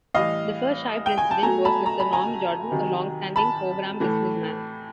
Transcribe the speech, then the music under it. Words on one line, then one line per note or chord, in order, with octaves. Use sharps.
The first Shire President was Mr Norm Jordan, a long-standing Cobram business man.
A2 E3 G3 D#5 F5
G5
G#5
A5
B2 F#3 A3 G#5 A#5
A5 B5
A#5
B5
G#5 A#5
C3 D#3 F#3
A5 B5
A2 E3 A3